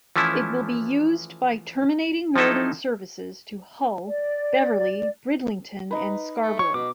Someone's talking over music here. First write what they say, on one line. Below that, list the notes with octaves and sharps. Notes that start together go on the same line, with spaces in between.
It will be used by terminating Northern services to Hull, Beverley, Bridlington and Scarborough.
E3 F3 A3 C#4 E4
F3 F#3 D#4 E4 A4
D5
D#4 B4
A3
C#5 C#6
B2 D6